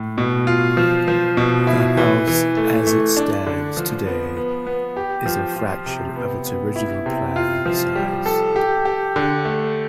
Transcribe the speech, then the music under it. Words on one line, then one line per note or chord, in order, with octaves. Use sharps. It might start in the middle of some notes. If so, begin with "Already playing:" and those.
The house as it stands today is a fraction of its original planned size.
Already playing: A2
B2
F4
F3
F3
B2
E4
E3
E3
A3
A3
D4
D3
F3
B3
B3
B3
G4
F3
F4
C3
B3
B3
E4
C3
F4
F3
G3
A4
G4
G4
D3
A3